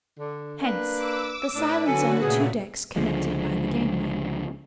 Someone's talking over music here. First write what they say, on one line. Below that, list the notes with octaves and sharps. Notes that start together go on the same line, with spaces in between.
Hence the silence on the two decks connected by the gangway.
D3
A#3 D4 B4
D6 E6
A2 D4 B4
D3 F#3 C#4 F#4 A4 G#5
A#2 C#3 A3 B3 G#4
C#2 D3 F3 G#3